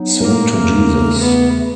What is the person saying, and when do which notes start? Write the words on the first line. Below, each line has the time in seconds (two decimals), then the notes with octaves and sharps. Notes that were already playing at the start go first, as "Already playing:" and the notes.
Sing to Jesus!
Already playing: F#3 B3 D#4
0.21 A#3
0.54 E2 C#3 E3 A3
1.20 B3